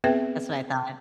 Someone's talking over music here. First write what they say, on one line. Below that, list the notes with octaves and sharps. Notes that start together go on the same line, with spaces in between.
That's what I thought.
B3 C4 G#4 B4 E5 G5